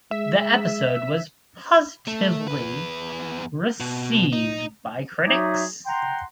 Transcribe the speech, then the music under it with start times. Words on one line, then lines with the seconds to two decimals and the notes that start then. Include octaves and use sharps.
The episode was positively received by critics.
0.11 G#3 E5
2.08 A3
2.48 E2 B4
3.80 B2
4.33 D#4
5.27 F#3 D#4 F#4 G#4 D5 E5
5.87 F#5 G5 A#5 C6